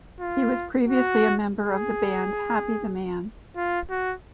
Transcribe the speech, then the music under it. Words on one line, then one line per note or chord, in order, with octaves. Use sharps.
He was previously a member of the band Happy the Man.
F4
F#4
G#4
F4
F#4